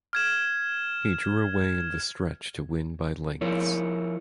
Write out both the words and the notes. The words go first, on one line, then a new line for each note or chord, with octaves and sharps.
He drew away in the stretch to win by lengths.
F6 G#6 E7
F3 E4 A#4 C#5